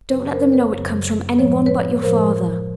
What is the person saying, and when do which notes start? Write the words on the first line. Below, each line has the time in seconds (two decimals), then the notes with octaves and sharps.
Don't let them know it comes from any one but your father.
0.10 F#2 C#3 F#3 B4 C#5
0.31 A#4 C5
0.52 B4 C#5
0.75 F#2 C#3 F#3
1.39 A2 F3 G#3 C#5
1.66 B4 C#5
2.02 A2 F3 G#3 A#4 C5